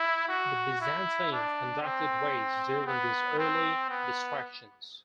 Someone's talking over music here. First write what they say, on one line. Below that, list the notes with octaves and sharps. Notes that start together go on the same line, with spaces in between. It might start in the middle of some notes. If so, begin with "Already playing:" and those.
The Byzantines conducted raids during these early distractions.
Already playing: E4
F#4
E4
D4
C4
B3
C4
B3